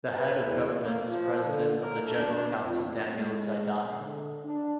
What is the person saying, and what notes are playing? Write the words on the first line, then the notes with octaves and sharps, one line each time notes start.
The head of government is President of the General Council Daniel Zaidani.
B4
E2
A#3
F3
D3
A#4
A3
D4
F2
G#3
D3
D4